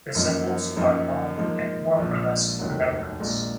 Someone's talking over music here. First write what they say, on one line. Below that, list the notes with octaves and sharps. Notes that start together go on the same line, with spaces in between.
The sepals are long and more or less membranous.
F#2 F3 A#3 D#4
F#2 F3 A#3 D#4
G#2 F3 A#3 D#4
A#1 A#2 F3
F1 D#2 D#3 F#3
A#1 A#2 G#3